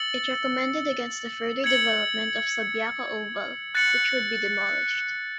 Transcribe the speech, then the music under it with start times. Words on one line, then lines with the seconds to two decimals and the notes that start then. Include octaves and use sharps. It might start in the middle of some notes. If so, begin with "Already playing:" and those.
It recommended against the further development of Subiaco Oval, which would be demolished.
Already playing: E6 A6 C#7 F#7
1.64 G#6 C#7 F#7
3.75 F#6 A6 C#7 F#7